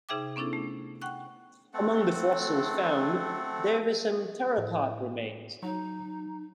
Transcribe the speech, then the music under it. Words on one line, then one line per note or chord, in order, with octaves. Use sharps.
Among the fossils found there were some theropod remains.
C3 D#4 G#4 E5 G5 D6
B3 C#4 D4 E4 A4
A3
F#5 G5 C#6 F#6
A3 C4 A4 F#5
A2
F#3 D#4